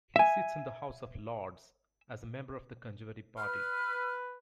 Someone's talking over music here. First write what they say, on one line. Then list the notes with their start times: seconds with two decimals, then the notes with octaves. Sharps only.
He sits in the House of Lords as a member of the Conservative Party.
0.16 E5 G#5
3.38 B4 F6